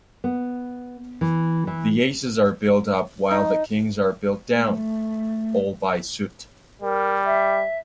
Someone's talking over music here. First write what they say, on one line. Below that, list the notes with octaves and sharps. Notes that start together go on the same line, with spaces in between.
The aces are built up while the kings are built down, all by suit.
B3
E3
E3
D#4
A3
G3 A#4
E5